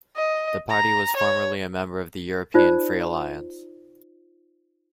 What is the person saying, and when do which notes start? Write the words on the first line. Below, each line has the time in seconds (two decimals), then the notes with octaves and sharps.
The party was formerly a member of the European Free Alliance.
0.16 D#5
0.70 A#5
1.17 C#5
2.54 D#4 F4 C5 D5